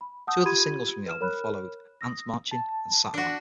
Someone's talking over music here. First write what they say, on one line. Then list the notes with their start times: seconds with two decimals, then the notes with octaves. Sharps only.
Two other singles from the album followed, "Ants Marching" and "Satellite".
0.01 B5
0.27 F#5 A5 D#6 E6 G6
0.45 F4 G4 B5 C6 G#6 D#7
1.06 B4 F6 E7
1.21 A#4 C#5 B5 F6 F#6
2.01 D#6 E6 A#6
2.51 A5
3.14 D4 F#4